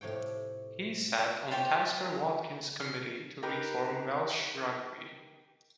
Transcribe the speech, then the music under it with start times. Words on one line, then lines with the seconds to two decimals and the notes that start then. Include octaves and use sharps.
He sat on Tasker Watkins committee to reform Welsh rugby.
0.01 A2 C3 F3 C#5 G5
1.51 F4 G4 C5 C#5
2.80 F6
3.43 D#4 G4 A#4 B4